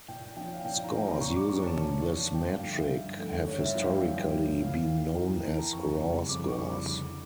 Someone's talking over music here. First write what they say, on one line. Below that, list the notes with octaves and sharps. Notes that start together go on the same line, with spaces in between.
Scores using this metric have historically been known as "raw" scores.
A#2 G5
F3 C#4 G5
F5
A#2 G5
A#5
F3 C#4
A#5
A#2 C#6
D6
F3 C#4 C#6
A5
A#2 A5
F3 C#4
G2 G5
F5
D3 F3 A3
E5
G2
D3 F3 A3
G2 C#5
E5
F3 A#3 D4 F5
G5
G2
F3 A#3 D4
E2 F5
E3 A#3 G5
E2 A#5
G5
E3 A#3 A5
A#5
F2 C#6
C#3 G3
F2 D6
C#6
C#3 G3
D6
D3